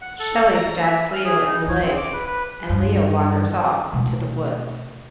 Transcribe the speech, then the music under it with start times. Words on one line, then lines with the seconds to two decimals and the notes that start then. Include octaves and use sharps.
Shelly stabs Leo in the leg, and Leo wanders off into the woods.
0.01 F#5
0.19 A4
0.54 A#5
0.83 E5
1.13 F6
1.25 G#4
1.47 D#4
1.68 C#5
1.82 C4
1.97 D6
2.13 B4
2.27 B4
2.70 G2
3.93 B2 A3